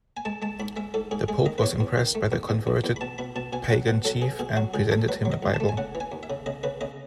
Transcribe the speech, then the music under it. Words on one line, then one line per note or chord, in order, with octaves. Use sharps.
The Pope was impressed by the converted pagan chief and presented him a Bible.
G#5
G#3 A5
G#3 A5
G#2 B5
G#3 E5
G#2 A4
G#2 G#4
G#3 G#4
D#3 D#5
B4
E2 C#5
E2
D#3
A3
E2
E2
E2
E2
B5
B2 A5
B2 B5
B2 A5
B2 G#5
F#3 F#5
B2 F#5
F#3 A4
B2 G#4
B2 G#4
F#3 F#4
C#2 G#4
A3 A4
F#3 B4
F#3
D#5
C#2
A5
A3
G#5
C#3 F#5
E3
G#5
D#2
E5
C#3
C#3 D#5
C#3 B4
C#3 D#5